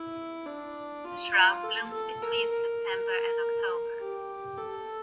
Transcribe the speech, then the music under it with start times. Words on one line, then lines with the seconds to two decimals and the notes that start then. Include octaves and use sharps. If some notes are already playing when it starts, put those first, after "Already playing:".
The shrub blooms between September and October.
Already playing: E4
0.46 D4
1.04 F4
1.63 A4
1.93 A4
2.22 A#4
2.52 A#4
3.99 G4
4.57 A4